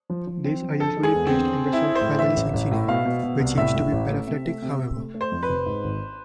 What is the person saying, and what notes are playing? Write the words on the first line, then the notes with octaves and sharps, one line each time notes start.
These are usually placed in the subfamily Scincinae, which seems to be paraphyletic however.
F3
F3
C4
F3
D3 A4
G#3
G#4
E2
C4
D3
C4
C4
E4
C4
C5
A2
E3 E5
A1
A1
A2
B2 F5
B2
B2
C2
A2 E5
A2
A1
A3
C3
A3
C3
C3
A3
A3
C5
F2
B4
F1
G#2
G#1